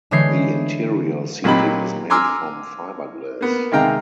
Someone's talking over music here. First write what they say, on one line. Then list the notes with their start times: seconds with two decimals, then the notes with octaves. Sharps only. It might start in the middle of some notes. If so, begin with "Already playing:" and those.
The interior seating is made from fiberglass.
0.11 D3 E3 G#3 C#5 G6 C7
1.44 A#2 F#3 C4 D#4 G4 B5
2.10 G#5 A#5 C6 D6 E6 F6
3.41 A#3 B3
3.71 C3 D#3 G#3 F5 G5 A#5